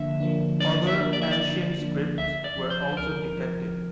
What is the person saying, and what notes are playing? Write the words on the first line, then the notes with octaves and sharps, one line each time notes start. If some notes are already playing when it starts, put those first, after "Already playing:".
Other ancient scripts were also defective.
Already playing: D3 F3 A#3 D4 E5
F3 A#3 D4
D3 D5
E5
F3 A#3 D4
D5
E5
D5
D3
F3 A#3 D4
D2 E5
D5
C3 F3
C5
D2 A#4
C3 F3